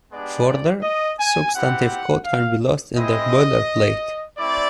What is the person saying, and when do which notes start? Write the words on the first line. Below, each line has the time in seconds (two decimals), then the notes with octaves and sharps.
Further, substantive code can be lost in the boilerplate.
0.11 G#3 B3 D4 G4 D5
0.82 D#5
1.18 G#5
1.53 C4 E4 G4 F#5
2.24 F5
2.95 G#3 C4 E4 D#5
4.36 A3 C4 E4 D5